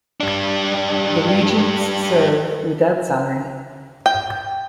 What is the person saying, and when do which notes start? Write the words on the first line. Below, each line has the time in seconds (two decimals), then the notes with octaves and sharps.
The Regents serve without salary.
0.21 G3 D4
4.06 G5